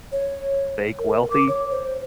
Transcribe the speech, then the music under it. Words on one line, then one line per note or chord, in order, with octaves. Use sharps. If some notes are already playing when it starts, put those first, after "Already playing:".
fake wealthy.
C#5
A#4
D6
C#5
C5